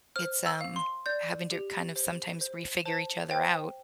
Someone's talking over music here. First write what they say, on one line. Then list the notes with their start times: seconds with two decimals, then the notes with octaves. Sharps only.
it's, um, having to kind of sometimes refigure each other out
0.16 C5 F6
0.46 E6
0.61 F5
0.76 C6
1.06 D5 G6
1.51 G4
1.96 C5
2.41 C5
2.86 C5 A5
3.31 C5 G5